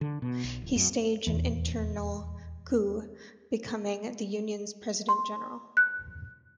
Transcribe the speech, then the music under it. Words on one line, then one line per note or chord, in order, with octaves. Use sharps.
He staged an internal coup, becoming the union's President General.
D3
B2
B1
D1
F#2
D#1 E2
C6
F#6